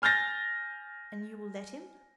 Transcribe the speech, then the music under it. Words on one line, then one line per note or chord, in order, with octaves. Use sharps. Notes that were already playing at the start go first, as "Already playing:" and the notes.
"And you will let him?"
G#5 F6 G6 A6 A#6